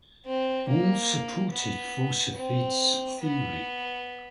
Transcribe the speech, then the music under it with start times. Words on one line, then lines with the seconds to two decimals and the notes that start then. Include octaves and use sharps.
All supported Forshufvud's theory.
0.26 C4
0.68 A#3
1.51 B3
2.35 C4
3.19 B3